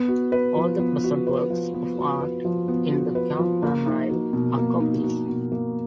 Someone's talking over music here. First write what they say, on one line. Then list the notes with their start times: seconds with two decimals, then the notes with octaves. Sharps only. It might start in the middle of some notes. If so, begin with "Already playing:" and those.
All the present works of art in the campanile are copies.
Already playing: B3
0.08 F#4
0.32 B4
0.56 F3
0.79 B3
1.04 F#4
1.27 B4
1.50 F3
1.74 B3
1.97 F#4
2.21 B4
2.45 F3
2.68 B3
2.92 F#4
3.15 B4
3.39 F3
3.62 A#3
3.87 D#4
4.09 F#4
4.33 B2
4.58 A#3
4.80 D#4
5.04 F#4
5.28 B2
5.52 A#3